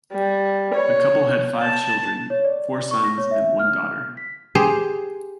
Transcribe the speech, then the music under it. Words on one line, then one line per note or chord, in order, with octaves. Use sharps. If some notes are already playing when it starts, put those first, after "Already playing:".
The couple had five children, four sons and one daughter.
G3
C#5
A5
C#5
D5
C#6
A#6
C#5
E5
F6
B6
G4 G#4 C5